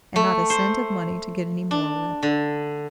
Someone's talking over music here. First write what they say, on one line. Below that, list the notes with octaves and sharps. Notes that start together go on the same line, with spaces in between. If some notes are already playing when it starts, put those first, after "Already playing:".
And not a cent of money to get any more with!
A3
C5
D4
D3